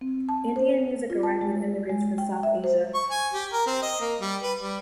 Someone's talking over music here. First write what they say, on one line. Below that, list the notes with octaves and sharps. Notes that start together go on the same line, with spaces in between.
Indian music arrived with immigrants from South Asia.
C4
A5
C5
F4
A5
G#3
G#3
G5
E5
C5
C#6
G#5
G4
A#4
C4
D#5
A#3
G3
B4
G3